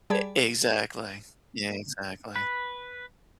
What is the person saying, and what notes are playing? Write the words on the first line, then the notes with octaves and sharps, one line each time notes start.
Ex exactly. Yeah, exactly.
G3 G#4 D5 A5 B5 G#6
B4